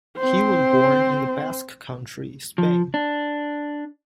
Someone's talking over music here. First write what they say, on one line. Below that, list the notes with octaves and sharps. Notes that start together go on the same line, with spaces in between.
He was born in the Basque Country, Spain.
C4 C5
F3
D4